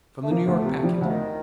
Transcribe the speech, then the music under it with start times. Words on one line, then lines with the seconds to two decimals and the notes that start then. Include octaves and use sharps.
From the New York Packet.
0.23 A3
0.30 F3 A#3
0.47 D2
0.57 A3
0.65 C3
0.83 F3 G3
1.01 D2 F3
1.10 D#3